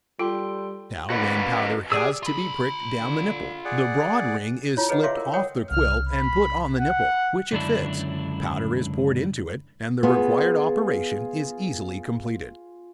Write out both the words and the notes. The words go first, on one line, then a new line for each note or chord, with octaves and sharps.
Now, when powder has to be pricked down the nipple, the "broad ring" is slipped off the quill and put on the nipple, which it fits; powder is poured into it, and the required operation is easily completed.
G3 F4 A4 G5 C6
F#4 B4 D5
G4 G#4 D5 E6
F4 B5
D3
G#4 D5 F#5
E4 F4 C#5
G#4 A4 B4 C#5 D#5 F#5
C#5 D5 E5 F5 C6 D6
A#4
C#5 F#5 G5 D#6
C2 C#3 F6
B5
F#5
C#2 F#2 D3 D4 E4
B3 F4 G#4 C#6